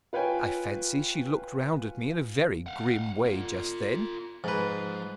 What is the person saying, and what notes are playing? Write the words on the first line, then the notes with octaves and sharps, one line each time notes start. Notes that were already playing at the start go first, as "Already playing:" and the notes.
I fancy she looked round at me in a very grim way just then.
F4 B4 C#5 G5 G#5
F5 F#5
B3 F4
G#2 F3 B4